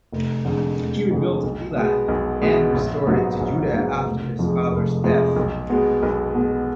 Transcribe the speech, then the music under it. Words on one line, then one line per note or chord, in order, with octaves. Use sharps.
He rebuilt Elath, and restored it to Judah, after his father's death.
F1
F2 D3 G#3
F1
F2 D3 G#3
B1
B2 G#3 B3
B1
B2 G#3 B3
A#1
G#2 F#3 B3 D#4
A#1
G#2 F#3 B3 D#4
F1
F2 F3 G#3
F1
F2 F3 G#3
B1
B2 G#3 B3
B1
B2 G#3 B3